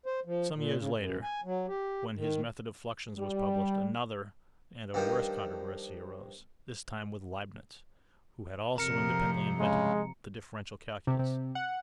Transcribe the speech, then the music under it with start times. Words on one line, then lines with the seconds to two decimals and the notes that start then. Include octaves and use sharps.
Some years later, when his method of fluxions was published, another and a worse controversy arose--this time with Leibnitz, who had also independently invented the differential calculus.
0.06 C5
0.25 F3
0.54 A#2
0.78 C#3
0.95 F#2
1.23 G#5
1.44 F#3
1.68 G4
2.16 D#3
3.17 G3
4.94 G2 D#3 F3
8.78 F2 C3 F3 A#4 A#5 C#7
9.59 C#3 G#3
11.07 C3
11.19 C3
11.55 F#5